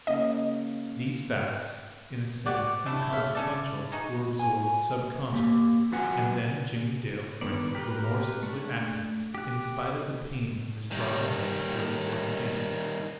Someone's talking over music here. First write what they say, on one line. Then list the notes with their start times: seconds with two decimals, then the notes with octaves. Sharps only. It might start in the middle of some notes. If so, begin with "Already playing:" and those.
These facts, in a sense inconsequential, were absorbed subconsciously; and then Jimmie Dale's brain, remorselessly active, in spite of the pain from his throbbing head, was at work again.
0.07 C#3 A#3 C#4 D#5
2.46 F#4 G4 D5
2.86 A3 D4 E4
3.13 C#3 E5
3.35 C#4 A4 D5
3.92 G#3 D#4 F#4
4.39 G#5
5.32 A#3 G4
5.92 F#3 F4 B4 F#5 G#5
7.41 D3 D#3 B3 D5
7.75 G4 A#4 B4 G5
8.43 A3 D4
9.35 G4 F#6
10.91 D#3 G3